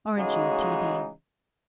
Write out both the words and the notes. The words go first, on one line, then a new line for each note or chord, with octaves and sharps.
Aren't you, T. D.?
A2 C#3 E3 G#3 D#4 F#4